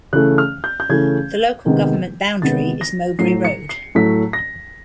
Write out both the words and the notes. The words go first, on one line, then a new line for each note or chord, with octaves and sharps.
The Local Government boundary is Mowbray Road.
C#3 E3 A3 F#6
F6
G6
G6
C#3 E3 A3 G#6
C3 D#3 G#3 B3
C3 D#3 G#3 B3 A6
A#6
A2 F#3 A3 C7
C#7
C7
A2 F#3 A3 B6
A#6